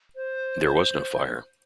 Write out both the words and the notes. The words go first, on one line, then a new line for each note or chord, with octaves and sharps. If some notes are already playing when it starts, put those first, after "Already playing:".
There was no fire.
C5